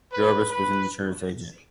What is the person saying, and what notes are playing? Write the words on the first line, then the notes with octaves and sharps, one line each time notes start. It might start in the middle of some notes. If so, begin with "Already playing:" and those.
Jarvis was an insurance agent.
B4
B4